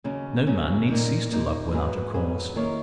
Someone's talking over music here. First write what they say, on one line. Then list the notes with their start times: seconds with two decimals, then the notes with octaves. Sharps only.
No man need cease to love without a cause.
0.04 D#2 C#3 F#3 C#4
0.47 D#2 C#3 F#3 C#4
0.89 A#2 A#3 D#4
1.31 A#2 A#3 D#4
1.72 G#2 F#3 C#4 G#4 B4
2.14 G#2 F#3 C#4 G#4 B4
2.55 D#3 A#3 E4 A#4 C#5